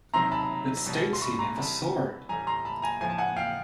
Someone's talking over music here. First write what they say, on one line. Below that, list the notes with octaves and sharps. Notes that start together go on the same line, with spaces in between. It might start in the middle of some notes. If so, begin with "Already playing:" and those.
It states, He never saw it.
C3 D#3 F#3 A#5 C6
A5 B5
B2 G3
C6
B5 C#6
A#5 C6
C3 E3 G3 A5 B5
A2 E3 G3 G#5 A#5
A#5 C6
A5 B5
G#5 A#5
A2 F3 G#5
A5
F#5 G#5
F5 G5